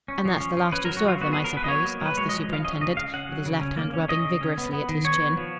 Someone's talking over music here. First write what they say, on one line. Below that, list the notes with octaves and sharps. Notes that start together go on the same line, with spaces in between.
"And that's the last you saw of them, I suppose?" asked the superintendent, with his left hand rubbing vigorously at his chin.
C#4
F3
C#4
F3
C#4 B4
A#4
F#3
F#4
F#3 F4
B3 F#4
G#4
F3
A#4
B3 B4
D#5
F#3 C#5
A#3
F#3 B4
G#3 C#5
D#5
F3
F3 F5
C#4 D#5
C#3 D#5
C#3 F5
C#4 F#5
F#3
C#3
C#4
A#3
C#4
C#4 D#5
C#3
C#4
B3
B3
D#3
B3 C#5
B3
F3